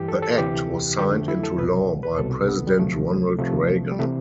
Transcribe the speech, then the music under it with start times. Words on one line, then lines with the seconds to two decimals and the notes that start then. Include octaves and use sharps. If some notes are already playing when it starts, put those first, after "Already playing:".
The act was signed into law by President Ronald Reagan.
Already playing: G2 E3 G4
0.08 A4
0.22 A4
0.38 D2 C3 E3 G4
0.98 F2 D3 F3 G4
1.14 A3
1.28 E4
1.44 A4
1.58 C2 B4
1.61 B2
2.03 B4
2.18 C2 B2 A4
2.49 B3
2.67 G3
2.78 D2 C3 F3 A3
3.38 C2 C3 F3 A3
3.91 G3
3.99 C3 E3 A3